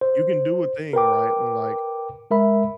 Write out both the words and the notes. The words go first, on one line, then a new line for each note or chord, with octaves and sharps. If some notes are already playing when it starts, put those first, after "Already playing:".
you can do a thing, right? And, like,
C5
A#4 B4 G5 D6
G#3 A#4 E5 B5